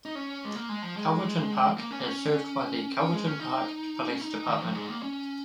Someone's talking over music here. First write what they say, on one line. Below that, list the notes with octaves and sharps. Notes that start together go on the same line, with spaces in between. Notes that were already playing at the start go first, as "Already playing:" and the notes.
Calverton Park is served by the Calverton Park Police Department.
D#4
C#4
G#3
A#3
G#3
F3
G#3
A#3
C#4
A#3
C#4
C#4
G#3
C#4
D#4
C#4
D#4
D#3
F3
G#3
A#3
C#4